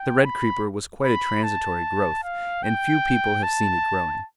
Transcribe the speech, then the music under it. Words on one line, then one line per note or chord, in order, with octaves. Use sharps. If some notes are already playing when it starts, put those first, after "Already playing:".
The red creeper was quite a transitory growth, and few people have seen it growing.
Already playing: G5
B5
B5
A5
F5
G5
A5